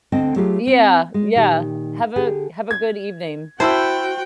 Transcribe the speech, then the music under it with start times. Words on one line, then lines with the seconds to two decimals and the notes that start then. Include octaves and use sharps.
Yeah, yeah. Have a have a good evening.
0.12 D2 D3 C4 D#5 G5 A5
0.36 F#3 A3 F4 G4 G#4
0.67 C4
1.14 G#3
1.35 A#2 D#3 G4
2.16 D3 G4 G#4
2.71 G#6
3.60 E4 F#4 C5 G5 A5 B5 E6